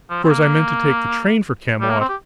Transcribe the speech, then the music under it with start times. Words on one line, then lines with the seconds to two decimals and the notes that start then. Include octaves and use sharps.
Of course, I meant to take the train for Camelot.
0.10 F3
0.23 C4
0.29 A#3
1.81 G3
1.90 A#3
2.00 C4
2.09 G4